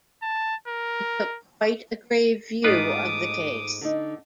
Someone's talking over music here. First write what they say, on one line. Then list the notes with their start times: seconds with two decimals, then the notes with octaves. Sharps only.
He took quite a grave view of the case.
0.22 A5
0.68 A#4
2.64 G#2 A3 B3 D#4 F4 B4 D6 D#6
3.81 D3 D#4